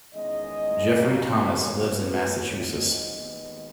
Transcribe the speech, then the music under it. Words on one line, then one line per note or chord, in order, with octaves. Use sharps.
Jeffrey Thomas lives in Massachusetts.
E2 D#3 G#3 C#4 D#5
D#2 C#3 F#3 A#3 C#4
E2 C#3 F#3 B3 C#5
B4
G#2 E3 G#3 C#5
D#5
D#2 D#3 G#3 B3